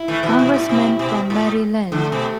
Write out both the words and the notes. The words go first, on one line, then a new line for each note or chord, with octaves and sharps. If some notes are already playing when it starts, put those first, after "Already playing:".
Congressmen from Maryland.
Already playing: E4
E3 A3
B2 E3
B2
A2
B2
B2
A2
D3 E3 A3
B2